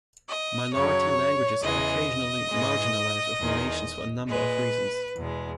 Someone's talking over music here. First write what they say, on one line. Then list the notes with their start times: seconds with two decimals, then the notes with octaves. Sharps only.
Minority languages are occasionally marginalised within nations for a number of reasons.
0.28 D#5
0.72 F#2 C#3 F#3 C#5
1.62 E2 C#3 E3 G#3 D#5
2.50 G#2 E3 G#3
3.39 E2 D#3 G#3
4.28 A#2 G#3 B4
5.16 E2 B2 G#3